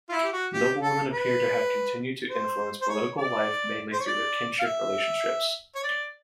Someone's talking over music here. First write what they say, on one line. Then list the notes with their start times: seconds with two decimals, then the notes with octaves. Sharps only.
Noblewomen appear to have continued to influence political life mainly through their kinship relationships.
0.09 F4
0.12 E4
0.23 G4
0.32 F#4
0.52 G4
0.81 A4
1.11 B4
2.30 C5
2.82 C5
2.88 C#5
3.17 D5
3.92 C5
3.99 C#5
4.07 D5
4.59 F5
4.65 E5
5.75 C#5
5.83 D5